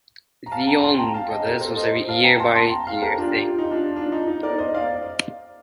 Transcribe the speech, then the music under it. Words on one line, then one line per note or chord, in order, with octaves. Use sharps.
The Allman Brothers was a year-by-year thing.
A#5
F5 A5
G5 A#5
A5 C6
G5 A#5
F5 A5
D#5 G5
G4 A#4
A4 C5
C5 D#5
F5 A5
G5 A#5
A5 C6
A5 C6
G5 A#5
F5 A5
G4 A#4
D4 F4
G4
F4
D#4
D4 F4
D4 F4
D#4
D#4
A#4 D5
C5 D#5
D5 F5